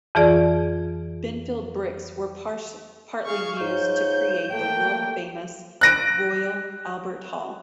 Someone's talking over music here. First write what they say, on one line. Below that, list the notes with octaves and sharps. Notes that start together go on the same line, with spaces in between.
Binfield bricks were partly used to create the world-famous Royal Albert Hall.
F2 E3 F4 G#4 D5
G#4 F5 C#6
G#2 F4 C#5 G6
A3 A#3 G5
F#6 A#6 D7